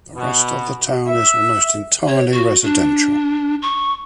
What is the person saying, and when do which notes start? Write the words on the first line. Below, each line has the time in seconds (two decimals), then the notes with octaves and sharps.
The rest of the town is almost entirely residential.
0.17 B2
1.07 E5
2.08 C#5
2.32 F#4
2.64 D4
3.62 C#6